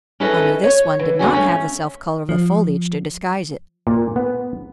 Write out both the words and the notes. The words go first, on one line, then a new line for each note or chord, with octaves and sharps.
Only this one did not have the self-color of the foliage to disguise it.
C#4 E4 A4 B4 D#5
C#5
E3
E2 D3 A#3 F#4 E5 G#5
A3 C#4
F3
A#2
B3